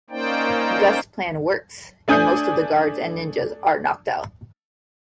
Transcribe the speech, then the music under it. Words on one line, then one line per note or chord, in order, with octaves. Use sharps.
Gus' plan works, and most of the guards and ninjas are knocked out.
A#3 C#4 D#4 C5 D5 G5
A3 D4 G#5 D#6 G6